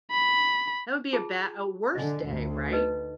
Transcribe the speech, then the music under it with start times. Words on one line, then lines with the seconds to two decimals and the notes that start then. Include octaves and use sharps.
that would be a bad a worst day, right?
0.11 B5
1.13 F4 G#4 A5
1.95 D3 D#5 G#5
2.29 D2
2.72 D#4 B4 D#5